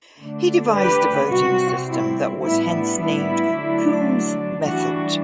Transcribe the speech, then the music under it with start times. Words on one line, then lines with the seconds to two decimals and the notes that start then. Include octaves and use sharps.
He devised a voting system, that was hence named Coombs' method.
0.21 D3 A3 D4
0.76 G4 B4
1.31 C3 G3 C4 F#4
1.87 E4
2.41 A2 G3 B3 D4 E4
2.97 E4
3.52 D3 F#3 A3 D4
4.62 E3 G3 D4 F#4